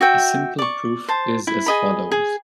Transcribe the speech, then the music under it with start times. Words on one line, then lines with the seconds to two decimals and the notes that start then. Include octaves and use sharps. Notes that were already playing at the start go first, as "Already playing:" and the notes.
A simple proof is as follows.
0.01 F#4 E5 G5
0.59 D5 C#6
1.08 C5 A5
1.47 E4
1.66 G#4 D#5 B5
2.12 G#4